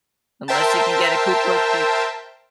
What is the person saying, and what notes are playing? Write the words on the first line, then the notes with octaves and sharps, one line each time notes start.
unless you can get a coop real cheap.
A#4 C5 E5 G5 A5